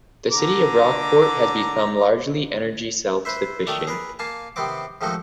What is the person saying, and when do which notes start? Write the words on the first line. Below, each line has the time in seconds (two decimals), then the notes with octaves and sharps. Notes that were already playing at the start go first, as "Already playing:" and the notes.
The city of Rock Port has become largely energy self-sufficient.
0.31 D3 A#5 D6
3.25 B4 C5 E5
3.67 D#3 A3 D5
3.87 G#4 A#4 B4
4.19 A#3 F5 G#5 A5
4.56 C3 D#3 B3 C4 D6
5.01 G#2 D#3 F3 A3 D#4 F#4